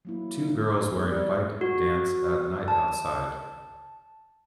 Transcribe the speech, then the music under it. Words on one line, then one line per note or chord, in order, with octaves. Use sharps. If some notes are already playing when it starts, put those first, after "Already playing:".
Two girls wearing white dance at night outside.
F#3 A#3 E4
E2
G3
F#4
A5